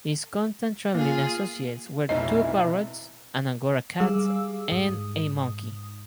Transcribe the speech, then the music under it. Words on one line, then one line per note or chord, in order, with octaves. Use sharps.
His constant travelling-associates were two parrots, an Angora cat, and a monkey.
A#3 F4 G#4
F1 B1 E3 F#3 E4 D#5
G3 G#4 F5 D6 E6
G#2 D#6